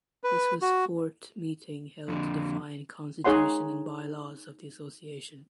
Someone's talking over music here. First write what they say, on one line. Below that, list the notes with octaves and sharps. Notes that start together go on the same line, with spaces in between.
This was fourth meeting held to define constitution and bylaws of the association.
B4
F#4
F2 D3
D#4 G#4 C#5 F#5 C6